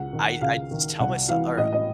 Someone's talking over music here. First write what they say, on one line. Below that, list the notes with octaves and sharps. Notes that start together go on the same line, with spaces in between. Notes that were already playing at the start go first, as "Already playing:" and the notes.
I I just tell myse or
Already playing: C#2 F#5
D#3
C#2 F5
D#3
C2 F#5
E3 F5
A2 D#5
D#5